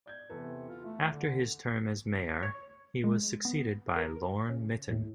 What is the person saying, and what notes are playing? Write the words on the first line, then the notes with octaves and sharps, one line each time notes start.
After his term as mayor, he was succeeded by Lorne Mitton.
D5 G6 G#6
E2 C3 A4 B4
F4
A3
D3
C#5
G#3
B3
A#4
C#3
A2